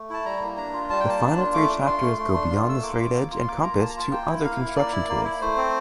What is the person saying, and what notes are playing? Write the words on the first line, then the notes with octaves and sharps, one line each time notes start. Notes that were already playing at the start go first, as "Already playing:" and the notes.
The final three chapters go beyond the straightedge and compass to other construction tools.
Already playing: A3
E4 A5
G3 A#5
A#3
D4 A#5
F4
G3 A5
G5
A#3 A5
D4
F4
A3 D6
D4
F4 C6
A3
A3
D4
F4
A3 E6
A#3 D6
F4
A#3
F4
C6
A#3 D6
F4 A#5
A#3 A5
A#5
F4 A5
A#3 G5
E4
A#3 F5
E4
A#3 D5
E4
A#3
E4
A3 C5
C4